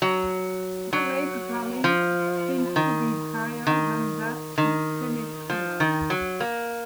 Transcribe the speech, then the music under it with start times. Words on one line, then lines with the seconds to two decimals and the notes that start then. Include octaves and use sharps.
The lake valley seems to be higher than that of Temecula.
0.02 F#3
0.93 F#3
1.84 F3
2.76 D#3
3.67 D#3
4.58 D#3
5.50 F3
5.80 D#3
6.10 F#3
6.40 A#3